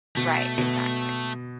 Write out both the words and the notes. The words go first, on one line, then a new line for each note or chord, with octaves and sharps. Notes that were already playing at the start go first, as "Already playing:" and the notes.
Right, exactly.
B2 A3
B2